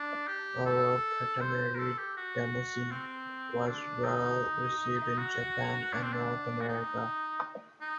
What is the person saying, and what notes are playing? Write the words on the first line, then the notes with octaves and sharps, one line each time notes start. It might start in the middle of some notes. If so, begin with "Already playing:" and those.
Overall, "Katamari Damacy" was well received in Japan and North America.
Already playing: D4
G4
A4
C5
A#4
A4
G4
F#4
C4
D4
D#4
F#4
D4
C4
D4
F#4
D#4
D#4